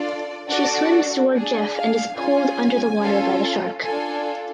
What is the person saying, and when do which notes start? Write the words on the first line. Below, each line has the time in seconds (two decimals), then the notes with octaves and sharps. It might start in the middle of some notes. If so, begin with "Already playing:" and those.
She swims towards Jeff and is pulled under the water by the shark.
Already playing: D4 F4 A4 D5
0.49 D4 F#4 A4 D5
1.34 D4 G#4
1.75 F5
2.17 C#4 F4 G#4 G#5
3.01 C#4 F4 A4
3.83 D4 F4 A4 G#5